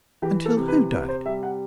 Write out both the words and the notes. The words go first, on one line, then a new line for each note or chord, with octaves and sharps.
"Until who died?"
E3 G4
A4
C3
B4
C3 B4
C5
G3 E5
F#5